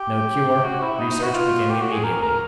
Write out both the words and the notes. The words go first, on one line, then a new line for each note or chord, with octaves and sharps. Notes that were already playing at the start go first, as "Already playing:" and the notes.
No cure, research beginning immediately.
Already playing: G4
F#4
E4
D#4
F#4
F4
G4
F#4
G#4
A#4
A#4